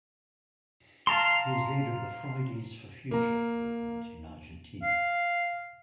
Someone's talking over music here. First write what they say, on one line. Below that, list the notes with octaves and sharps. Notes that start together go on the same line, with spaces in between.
He is leader of the Fridays for Future Movement in Argentina.
F5 A5 A#5 C6
A#3 A#5
F5